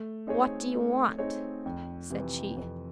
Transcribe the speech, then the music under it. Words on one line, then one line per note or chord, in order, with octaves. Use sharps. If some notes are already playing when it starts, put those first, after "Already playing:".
'What do you want?' said she.
Already playing: A3
C4 D#4 G#4 C#5
A3
C4 D#4 G#4 C#5
F2
C3 E3
F2